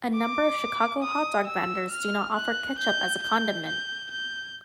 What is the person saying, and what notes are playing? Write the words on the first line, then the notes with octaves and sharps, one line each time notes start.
A number of Chicago hot dog vendors do not offer ketchup as a condiment.
D6
D#6
E6
F6
F#6
G6
G6
G6
G6